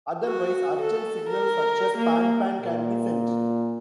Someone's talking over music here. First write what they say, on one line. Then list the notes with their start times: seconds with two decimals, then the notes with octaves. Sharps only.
Otherwise, urgent signals such as pan-pan can be sent.
0.24 F#4
0.80 A4
1.30 A#4
1.98 A#3
2.61 A#2